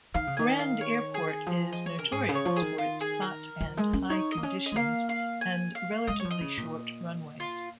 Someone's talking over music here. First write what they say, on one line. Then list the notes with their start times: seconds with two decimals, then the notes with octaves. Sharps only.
Rand Airport is notorious for its hot and high conditions and relatively short runways.
0.14 D#3 F5
0.27 C#3
0.37 D#3 G#5
0.59 F5
0.81 C#5
1.14 G#4
1.47 F3
1.72 D#5
1.86 C#5
1.99 A#4
2.08 A#2
2.12 G#2 G#4
2.29 C#3
2.35 C#5
2.45 F3
2.56 G#4
2.62 D#3
2.78 F4
3.01 G#4
3.22 A#4
3.61 F3
3.77 G#3
3.93 C#4
4.10 D#4 C#5
4.32 D#5
4.37 A#3
4.43 C#4
4.66 D#5
4.72 G#3
4.76 A#3 F5
5.09 F5
5.41 G#5
5.75 F5
6.07 G#3 D#5
6.20 F3 C#5
6.31 D#5
6.41 C#3
6.57 A#2
7.40 F4